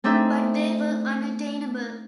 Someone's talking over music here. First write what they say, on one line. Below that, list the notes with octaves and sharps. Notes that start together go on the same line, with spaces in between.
But they were unattainable.
A3 C4 D4 D#4 G#4 E5